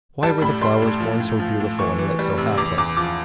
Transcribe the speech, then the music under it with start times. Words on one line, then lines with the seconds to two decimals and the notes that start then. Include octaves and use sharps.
Why were the flowers born so beautiful and yet so hapless?
0.23 G3 A5
0.42 A2 B5
0.62 G3 C6
0.82 A2
1.00 F3
1.20 A2
1.40 F3
1.60 A2
1.79 E3 C#6
1.98 E3
2.19 G3
2.38 C3
2.58 E2 D6
2.78 E2 D6
2.97 F3 D6